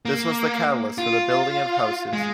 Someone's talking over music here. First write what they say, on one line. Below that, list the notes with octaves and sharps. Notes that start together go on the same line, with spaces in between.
This was the catalyst for the building of houses.
A#3
F4
G#3